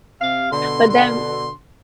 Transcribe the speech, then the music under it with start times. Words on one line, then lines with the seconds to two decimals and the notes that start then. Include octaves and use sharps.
but then
0.21 C3 F5
0.52 B2 D3 C6
0.90 C6